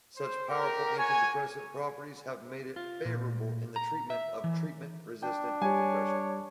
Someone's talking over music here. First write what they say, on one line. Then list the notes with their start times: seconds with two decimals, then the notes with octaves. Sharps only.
Such powerful antidepressant properties have made it favorable in the treatment of treatment-resistant depression.
0.17 C5
0.48 D#4 G4 A#4
0.97 F#4 C#5 G#5
2.76 F4
3.05 A#2
3.76 A#5
4.10 E5
4.44 E3
5.23 D4 G5
5.62 G3 G4 C#5 G#5